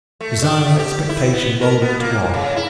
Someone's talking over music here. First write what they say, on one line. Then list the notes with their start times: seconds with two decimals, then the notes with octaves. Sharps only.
Desire and expectation rolled into one.
0.21 A3
0.42 D4
0.66 A3
0.79 G4
1.09 E4
1.32 B3
1.61 A#4
1.82 B3
2.00 A#3
2.34 C#3
2.56 E4